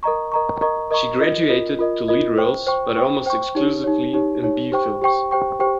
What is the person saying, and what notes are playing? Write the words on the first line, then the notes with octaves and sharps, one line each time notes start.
She graduated to lead roles, but almost exclusively in "B" films.
A#4 D#5 A#5 C#6
A#4 D#5 A#5 C#6
A#4 D#5 A#5 C#6
A#4 D#5 A#5 C#6
F4 A#4 D#5
F4 A#4 D#5
F4 A#4 D#5
F4 A#4 D#5
C5 G5 C#6
C5 G5 C#6
C5 G5 C#6
C5 G5 C#6
D#4 G4 C#5
D#4 G4 C#5
D#4 G4 C#5
D#4 G4 C#5
G4 C5 G5 C#6
G4 C5 G5 C#6
G4 C5 G5 C#6
G4 C5 G5 C#6